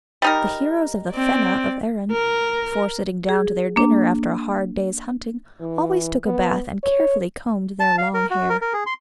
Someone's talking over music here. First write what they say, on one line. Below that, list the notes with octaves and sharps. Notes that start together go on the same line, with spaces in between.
The heroes of the Fena of Erin, before sitting down to their dinner after a hard day's hunting, always took a bath and carefully combed their long hair.
G3 D#4 A#4
C4 D5
A#4
G#4
A#3 D4
E3
B3
C#5
A5
F5
A#4
F#4
A#4
A#4
G#4
C6